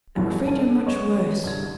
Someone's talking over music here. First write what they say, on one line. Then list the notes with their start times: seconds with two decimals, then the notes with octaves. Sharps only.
'I'm afraid you're much worse.
0.15 G#1 G2 B2 E3 F#3 G#3
0.45 G1 D#3 C#4 A5 D#7
0.58 D4 A4
0.87 F#1 G#3 B3 C#5 D#5 C#6
1.44 C2 G2 D3 G#6